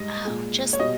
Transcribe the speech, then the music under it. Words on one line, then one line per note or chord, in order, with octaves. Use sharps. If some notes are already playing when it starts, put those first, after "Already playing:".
Oh, just
Already playing: G#2 G3 D#5
A#2 G#3
C#5
B2 G3 D#5